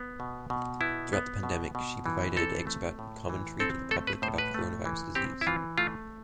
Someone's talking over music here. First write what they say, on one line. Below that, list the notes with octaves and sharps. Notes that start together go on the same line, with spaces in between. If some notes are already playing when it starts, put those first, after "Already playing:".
Throughout the pandemic she provided expert commentary to the public about coronavirus disease.
Already playing: B3
B2
B2
B3 E4
B3
B2
B2
E3
C4 A4
A3
A2
E3
C4 A4
A3 A4
B4
A2 C5
B4
A3
E3
C4 G4
E4
E3 F4
A3 F4